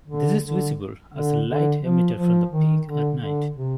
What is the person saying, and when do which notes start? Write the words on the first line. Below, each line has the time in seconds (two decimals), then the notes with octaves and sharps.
This is visible as light emitted from the peak at night.
0.08 D3
0.43 D3
1.13 D3
1.46 D3
1.81 F3
2.15 F3
2.49 D#3
2.85 D3
3.19 D3
3.54 C3